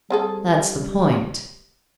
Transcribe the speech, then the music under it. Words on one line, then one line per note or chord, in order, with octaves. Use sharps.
'That's the point.
G3 C4 G#4 A4